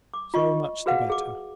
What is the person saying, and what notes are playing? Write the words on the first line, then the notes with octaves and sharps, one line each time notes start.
"So much the better."
D6
F4 D#5 C#6
F#4 G#4 B4 F5 F#5
G#4 D6